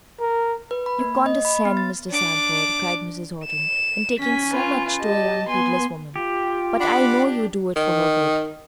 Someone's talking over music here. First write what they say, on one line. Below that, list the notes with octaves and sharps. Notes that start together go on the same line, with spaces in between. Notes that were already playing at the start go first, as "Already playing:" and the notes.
"You condescend, Mr. Sandford," cried Mrs. Horton, "in talking so much to a young heedless woman; but I know you do it for her good."
A#4
B4
B5
A#3
D#5
B5
B3
A6
D4 D6
E7
C#4 G#5 B6
F4 B4
G4 D#5 A5
B3 G#5 C6
F4 G4
D4 F#5 B5 D6
D#3